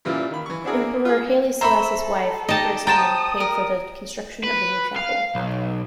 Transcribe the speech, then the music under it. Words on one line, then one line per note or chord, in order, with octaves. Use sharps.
Emperor Haile Selassie's wife, Empress Menen, paid for the construction of the new chapel.
A#2 C#3 E3 G3 E4 F4
D#3 B5
E3 C#6
C4 D4 E4 F#4 G#4 A#4
A#3
F4 G#4
C5 E5 A#5 B5 C#6 E6
A4
D#4 G4 D#5 A5
F#4 C5 G5 A5 A#5 D#6 A6 E7
A#4
B4
F5
B1